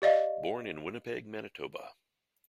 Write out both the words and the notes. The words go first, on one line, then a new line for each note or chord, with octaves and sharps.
Born in Winnipeg, Manitoba.
G4 D5 D#5 F5